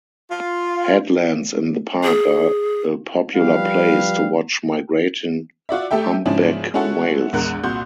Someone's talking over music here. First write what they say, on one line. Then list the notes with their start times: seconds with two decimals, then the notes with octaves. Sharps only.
Headlands in the park are a popular place to watch migrating humpback whales.
0.30 F4
2.04 G#4
3.36 F3 G3 B4 F5
5.69 F4 F#4 D5 E5
5.91 A3 G4 A4 E5 G5
6.26 G#2 C#3 F3 C#4 D4 E4
6.74 G#3 C#4 E4 F#4 A4 F#5
7.33 A#1 E2 G#3 A#4 F#5 F#6
7.63 C2 A#2 F#4 C6 G6